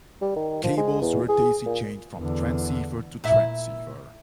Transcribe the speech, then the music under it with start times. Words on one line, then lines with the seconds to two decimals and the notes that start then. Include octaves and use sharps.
Cables were daisy-chained from transceiver to transceiver.
0.21 G3
0.36 D#3
0.64 F3
0.77 G#3
1.01 E2
1.29 G#4
1.66 A#2
2.18 E2 D3
3.24 A#2 E4 E5